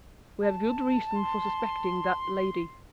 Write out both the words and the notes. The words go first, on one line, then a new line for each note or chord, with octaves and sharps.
We have good reasons for suspecting that lady.
A5
C6